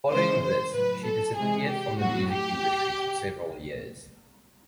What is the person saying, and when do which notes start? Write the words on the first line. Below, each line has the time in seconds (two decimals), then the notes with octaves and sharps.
Following this, she disappeared from the music industry for several years.
0.11 C#3 E3 G#3 C5
0.43 C5
0.74 A2 F#3 B4
1.05 A4
1.36 C3 E3 G#3 G#4
1.68 G4
1.98 A2 F#3 F#4
2.31 G4